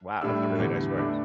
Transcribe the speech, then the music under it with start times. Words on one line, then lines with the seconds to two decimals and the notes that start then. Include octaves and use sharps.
"Wow, that's a really nice horse."
0.22 A2 G3 D4 E6
0.59 E2 D3 G3
0.97 A2 A3 D4 D6